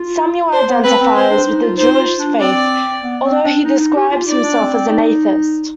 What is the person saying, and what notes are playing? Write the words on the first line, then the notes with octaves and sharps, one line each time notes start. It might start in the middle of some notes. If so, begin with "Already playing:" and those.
Samuel identifies with the Jewish faith, although he describes himself as an atheist.
Already playing: F4
C5
B3
C4 B4
C4
C4 C5
D4
D#4
F4
D#4 C5
F4
D4
C4 D5
B3
C4
D4
D#4
D#4
G4
F4
D#4 D5
D4
C4
C4
D#4